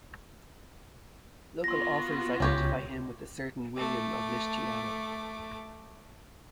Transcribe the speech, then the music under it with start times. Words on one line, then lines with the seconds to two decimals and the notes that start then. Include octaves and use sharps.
Local authors identify him with a certain William of Lisciano.
1.64 B3 F4 F#4 C6 A#6
2.40 C#2 C#4 G4 C#5
3.77 A3 D6